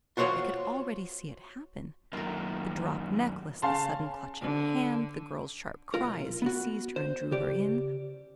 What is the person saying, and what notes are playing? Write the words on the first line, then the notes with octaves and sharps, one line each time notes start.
I could already see it happen--the dropped necklace, the sudden clutching hand, the girl's sharp cry as he seized her and drew her in.
F4 F#4 C5 C#5 F#5
F#2 D#3 A#3 F4 A#4
C#3 F5 A5 C6
D3
B1 F4 A#4
B3 F#4
C5
C#3 G4 D5